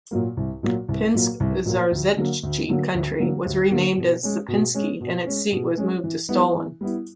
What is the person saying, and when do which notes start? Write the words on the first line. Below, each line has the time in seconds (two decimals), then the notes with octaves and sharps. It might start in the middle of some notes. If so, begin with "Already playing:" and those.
Pinsk-Zarzeche country was renamed as Zapynsky and its seat was moved to Stolin.
0.11 A#2 F#3 A#3
0.37 C2
0.63 A#2 F#3 A#3
0.88 C2
1.14 A#2 F#3 A#3
1.40 C2
1.66 A#2 F#3 A#3
1.91 D2
2.17 D3 F#3 A#3
2.43 D2
2.69 D3 F#3 A#3
2.94 D2
3.20 D3 F#3 A#3
3.46 D2
3.72 D3 F#3 A#3
3.97 B2
4.23 G#3 C#4
4.48 B2
4.75 G#3 C#4
5.01 B2
5.26 G#3 C#4
5.52 B2
5.77 G#3 C#4
6.04 E3
6.29 G3 B3 E4
6.55 E3
6.81 G3 B3 E4